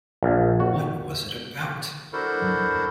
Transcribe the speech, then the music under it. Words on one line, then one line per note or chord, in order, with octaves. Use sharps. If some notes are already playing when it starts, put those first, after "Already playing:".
What was it about?
A#1
F#4
D4 E4 F#4 A4 A#4 C5